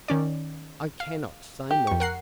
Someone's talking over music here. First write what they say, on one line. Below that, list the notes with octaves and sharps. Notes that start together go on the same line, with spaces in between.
I cannot say more.
D#3 C#4 D5
F5
G4
F2 C#6
A#4 F#5 C7